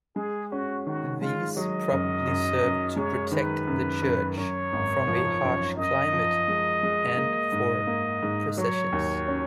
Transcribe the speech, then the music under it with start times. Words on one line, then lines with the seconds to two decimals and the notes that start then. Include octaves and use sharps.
These probably served to protect the church from a harsh climate, and for processions.
0.16 G#3 G#4
0.52 C#4 F#4
0.87 D#3 F#4
1.21 G#3 F4
1.56 F#3 D#5
1.91 F#2
2.27 F#2
2.62 F#2
2.96 G#3 C#5
3.31 D#3 B4
3.67 F#2
4.02 F#2
4.37 F#2 C#5
4.73 G#1
5.07 F3
5.43 F#2
5.77 F#2 D#5
6.12 F3
6.48 G#3
6.83 G#3
7.17 A#3
7.52 G#2
7.87 A#3
8.23 G#2
8.57 F#3 C#5
8.93 D#2
9.28 C#4